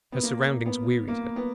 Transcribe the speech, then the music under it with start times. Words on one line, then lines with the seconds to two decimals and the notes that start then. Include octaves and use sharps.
Her surroundings wearied her.
0.12 B3
0.23 A#3
0.66 B3
1.08 A#3
1.36 B3